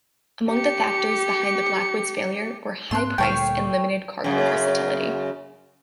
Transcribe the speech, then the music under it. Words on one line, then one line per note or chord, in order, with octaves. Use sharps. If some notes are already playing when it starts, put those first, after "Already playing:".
Among the factors behind the Blackwood's failure were high price and limited cargo versatility.
G4 C#7
G#2 A#3 C4 C6 F#6
D2 A#2 G3 A3 C#5 F5 G5
F#2 C#3